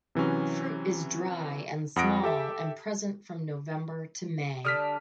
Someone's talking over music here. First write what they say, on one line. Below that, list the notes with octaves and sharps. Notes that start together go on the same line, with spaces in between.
Fruit is dry and small and present from November to May.
C3 E3 F#3 C#4
F2 F#5 D#6 A#6 D7
G4 A4 E5
D3 G3 D4 D#6 F6 B6